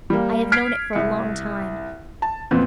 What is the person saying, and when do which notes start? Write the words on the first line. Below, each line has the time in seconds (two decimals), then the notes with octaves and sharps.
I have known it for a long time.
0.10 G3 A#3
0.52 F6 G#6 B6 C7 D7
0.93 C2 C#7
2.22 A5
2.51 F2 A#2 B3 C4